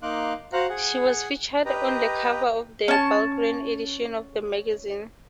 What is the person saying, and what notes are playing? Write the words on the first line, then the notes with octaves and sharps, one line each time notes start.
She was featured on the cover of the Bulgarian edition of the magazine.
A#3 D#4 F5 C6 D6 F#6
F#4 C5 F5 F#5 A#5 F#6
G#4 F#5
G4 B4 D#5 A#5
C#4 A5